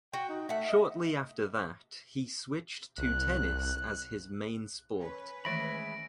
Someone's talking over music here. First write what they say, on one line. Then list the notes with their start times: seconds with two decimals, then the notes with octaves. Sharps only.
Shortly after that he switched to tennis as his main sport.
0.13 F#4 G5
0.29 D#4
0.49 A3 E5 F#5
0.69 D#5
2.98 C2 F#6
4.97 C#4 B4
5.45 D#3 E3 G#3 A3 E5 B5 A#6 D7